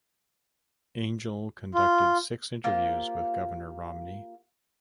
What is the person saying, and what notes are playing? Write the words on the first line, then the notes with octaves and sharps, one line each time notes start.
Angel conducted six interviews with Governor Romney.
F4
A#3 F4 G4 C5